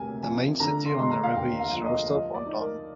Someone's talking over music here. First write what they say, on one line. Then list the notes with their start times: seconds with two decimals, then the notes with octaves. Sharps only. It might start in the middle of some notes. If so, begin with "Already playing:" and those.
The main city on the river is Rostov on Don.
Already playing: D2 C3 A#3 A#4 G#5
0.23 F3 G#5
0.60 D3 A#5
0.86 C6
0.97 G#3 C6
1.10 A#5
1.23 F5
1.35 D#2 G5
1.59 F5
1.71 F3
1.84 D#5
2.09 F3 D#5
2.34 D5
2.46 D#4
2.60 A#4